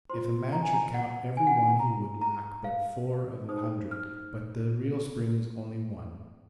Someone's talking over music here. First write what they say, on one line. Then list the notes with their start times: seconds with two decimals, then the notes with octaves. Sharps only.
If a man should count every one he would lack but four of a hundred, but the real spring is only one.
0.10 F4 C5 C6
0.52 A#5
0.63 G#5
0.73 A#5
0.94 F#5
1.37 G#5
1.47 F#5
1.57 G#5
1.79 A#5
2.21 A#5
2.64 F5
3.48 D#4 G#4 C5 D#6
3.91 F6